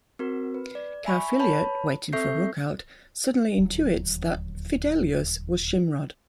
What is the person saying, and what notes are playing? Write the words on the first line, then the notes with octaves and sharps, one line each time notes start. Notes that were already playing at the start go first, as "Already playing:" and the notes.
Carfilhiot, waiting for Rughalt, suddenly intuits that Fidelius was Shimrod.
C4 F#4 A#4
B4
D5
E5 G#5 B5 C#6
B4 C#5 A5 B5
C4 A4 E5 C#6 G6 C7
D#1 D2 F#3